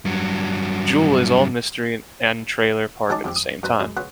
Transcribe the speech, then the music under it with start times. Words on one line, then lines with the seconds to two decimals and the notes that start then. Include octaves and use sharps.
Jewel is all mystery and trailer park at the same time.
0.05 G2 F#3
3.10 F#3 G#3 C#4 D#4 A5 D6
3.24 F2 C3 G4
3.36 D#6
3.63 F#2 B4 C5 A#5
3.80 F#2 G#3
3.97 C#3 F#4 B4 C6